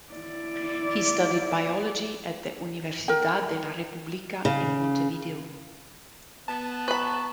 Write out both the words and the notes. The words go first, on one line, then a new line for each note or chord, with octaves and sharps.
He studied biology at the Universidad de la Republica in Montevideo.
E4 D5
A#4 G5
C#3
B3 A5
B4 A#5 B5 C#6